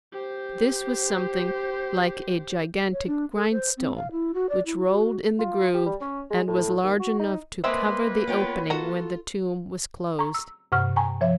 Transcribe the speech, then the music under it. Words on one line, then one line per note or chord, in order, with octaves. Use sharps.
This was something like a gigantic grindstone which rolled in the groove and was large enough to cover the opening when the tomb was closed.
G4 C5
C#5
D4
A4
C5
C4
F5
E4
F#4
D5
E4
F#4
F4
G4
G3
C#4
G#3
A2
D#2
F#4
D#4
G#3 A#3 C4 B4 D5 E5 C6
B3 F4 C#5 G5
F4 F#4 A4 A#5
A#5 C#6
E6
G2 C3 F#5 C#6 F6
G5 G#5 A#5 C#6
F3 C#5 E5